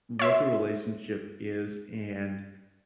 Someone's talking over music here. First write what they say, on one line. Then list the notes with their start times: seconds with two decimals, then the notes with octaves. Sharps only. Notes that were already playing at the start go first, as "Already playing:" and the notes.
what the relationship is and,
0.19 C#5 E5 C6